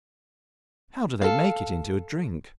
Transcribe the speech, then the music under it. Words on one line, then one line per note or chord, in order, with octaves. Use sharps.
How do they make it into a drink?
A4 F5